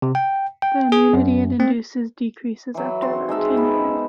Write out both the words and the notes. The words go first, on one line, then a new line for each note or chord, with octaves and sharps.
The immunity it induces decreases after about ten years.
C3
G5
G5
G#4
F#2
C4
E3 F#3
C4 F#4 C6
G#3 D#4 E5 A5
B3 B5